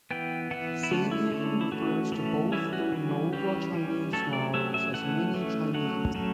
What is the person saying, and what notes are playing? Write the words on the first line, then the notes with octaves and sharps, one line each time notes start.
Sabian refers to both their nova Chinese models as mini Chinese.
E3 B3 G5
E3 B3 F#5
E4
D3 A3 C#4 F#4
E4
D3 A3 C#4
E4
E3 A3 C#4 F#4
E3 A3 C#4
E3 G3 C#4 E4
F#4
E3 G3 C#4
E3 G3 C#4 G4
E3 G3 C#4
F#3 A3 C#4 A4
D5
F#3 A3 C#4 E5
E5
E3 A3 C#4 F#5
E3 A3 C#4
F#3 A3 C#4 F#5
F#3 A3 C#4